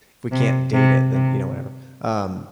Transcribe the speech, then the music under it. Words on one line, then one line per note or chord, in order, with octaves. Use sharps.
if we can't date it, then, you know, whatever. Um
C3
C3
C3